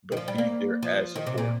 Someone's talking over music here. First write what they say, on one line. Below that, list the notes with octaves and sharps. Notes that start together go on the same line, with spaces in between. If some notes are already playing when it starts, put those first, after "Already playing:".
but be there as support.
D#3
F3
G3
A#3
F3
D#3
C3
A#2